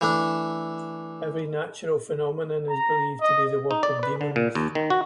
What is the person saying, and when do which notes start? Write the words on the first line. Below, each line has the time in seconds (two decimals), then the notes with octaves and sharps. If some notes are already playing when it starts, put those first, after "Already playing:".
Every natural phenomenon is believed to be the work of demons.
0.01 E3 A3 D4
2.69 A#5
3.21 D#5
3.71 D#4
3.83 D5
4.03 B4
4.21 D3
4.36 A#2
4.55 D#2
4.75 D#3
4.90 F#4